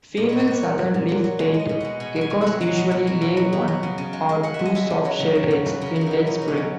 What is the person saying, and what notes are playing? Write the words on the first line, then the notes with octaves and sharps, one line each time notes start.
Female southern leaf-tailed geckos usually lay one or two soft-shelled eggs in late spring.
A#2 D#5
A#2 C#5
B4
A#2 C#5
F#3
F#3
A#2
F#3
F#3
G#3 C#5
G#3
D#5
B2
G#3 F#5
B2 G#5
G#3
G#5
B2
F#5
G#3
F#3 F#5
B2
B2
F#3
B2
F#3
B2
F#3
C#3
C#3
G#3
G#3
G#3 F#5
G#3 E5
D#5
G#3 E5
C#3
F#3
C#3
F#3
C#3
F#3 B4
C#3 A#4
F#3
D#4
F#3 E4
B2 D#4
F#3
C#4
F#3